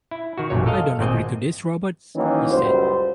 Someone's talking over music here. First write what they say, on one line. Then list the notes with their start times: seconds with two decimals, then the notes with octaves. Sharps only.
"I don't agree to this, Roberts," he said.
0.11 E4
0.38 D#3 F#4
0.50 A1 F#2 A#2 C#5
0.66 A4 A#4 D#5 F5
0.99 G#1 A#2 C4 D#5
2.15 D#3 E3 F#3 A#3 C#4
2.50 C#2 F#2 G3 C5